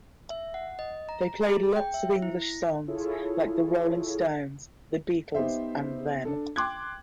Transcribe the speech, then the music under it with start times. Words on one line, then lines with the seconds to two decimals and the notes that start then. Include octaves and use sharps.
They played lots of English songs, like the Rolling Stones, the Beatles and Them.
0.30 E5
0.54 F#5
0.79 D#5
1.09 A#5
1.21 A#5
1.46 G#4
1.76 G5
1.94 E5
2.22 E4
2.42 A#6
2.87 E4 F4 G#4 A4 C#5
5.34 B3 D#4 G4 C5 E5
6.25 D4 A4
6.56 G5 C6 D6 F#6 G#6